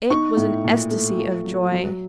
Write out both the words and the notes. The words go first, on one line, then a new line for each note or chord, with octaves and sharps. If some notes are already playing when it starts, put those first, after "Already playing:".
It was an ecstasy of joy!
D#4 C#6
A2
A#2
A3
F4
F#3
F#3